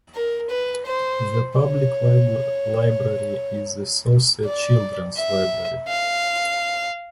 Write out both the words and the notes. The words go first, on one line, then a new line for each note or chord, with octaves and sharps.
The public library is the Saucier Children's Library.
A#4
B4
C5
C#5
D5
E5
F5